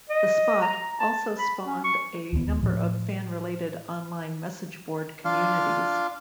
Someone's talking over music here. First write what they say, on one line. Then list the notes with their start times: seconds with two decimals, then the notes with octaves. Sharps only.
The Spot also spawned a number of fan-related online message board communities.
0.10 D#5
0.62 A#5
0.99 A5
1.39 B5
1.64 C#4
1.84 C#6
2.32 D1 D#2 F3 B3
2.63 A2 F3
5.25 D4 F4 F5